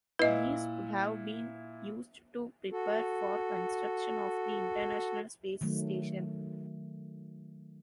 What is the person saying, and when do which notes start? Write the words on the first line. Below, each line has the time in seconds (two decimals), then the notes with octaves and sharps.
These would have been used to prepare for construction of the International Space Station.
0.19 A#2 E4 B4 D#5
2.72 F#4 A4
5.61 D#3 F#3 A3